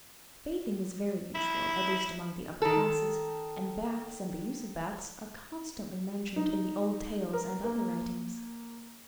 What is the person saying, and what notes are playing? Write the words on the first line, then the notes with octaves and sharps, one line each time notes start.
Bathing was very usual, at least among the upper classes, and baths and the use of baths are constantly mentioned in the old tales and other writings.
E4
D#3 A4
D#4
A#4
A#3